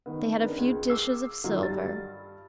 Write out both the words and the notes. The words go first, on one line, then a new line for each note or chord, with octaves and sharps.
They had a few dishes of silver.
D#3 B3
D4 D#4 A#4 B4
C#2
D6 E6 C7
D#3 F#3 A3 F4
G2 G3 A6